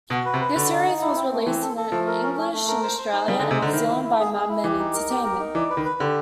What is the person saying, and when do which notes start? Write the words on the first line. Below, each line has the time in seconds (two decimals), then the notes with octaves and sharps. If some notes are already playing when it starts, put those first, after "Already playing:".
The series was released in English in Australia and New Zealand by Madman Entertainment.
0.10 B2 F#4
0.25 B4
0.34 C3
0.41 B4
0.56 D3 F#4
0.71 D#4
0.86 D#4
1.01 E4
1.16 C4
1.32 A3
1.46 E3 C4
1.62 A4
1.77 A4
1.92 F3 A3
2.07 A#4
2.22 C#4
2.37 A3
2.53 A3
2.68 A#4
2.83 C5
2.98 C5
3.13 D#4
3.28 G3 G#4
3.40 D3
3.43 D#4
3.51 C3
3.58 D3 C5
3.73 D#3 E4
3.89 E4
4.03 E4
4.19 G#4
4.34 G#4
4.49 E4
4.64 E3 G4
4.80 D#4
4.94 A#4
5.09 G4
5.24 A#4
5.39 D#4
5.55 E3 D5
5.70 B4
5.77 D#3
5.85 B4
6.00 D3 G4